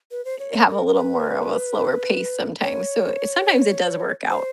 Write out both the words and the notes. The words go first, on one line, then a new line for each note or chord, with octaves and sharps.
have a little more of a slower pace sometimes. So, sometimes it does work out.
B4
C5
C#5
A#4
A#4
B4
C#5
C5